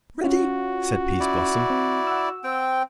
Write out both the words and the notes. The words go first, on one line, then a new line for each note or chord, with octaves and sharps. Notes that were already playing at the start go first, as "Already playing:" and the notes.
"Ready," said Peaseblossom.
C#4 F4 F#4
E4 D5
C4
F#5 E6
C4 G5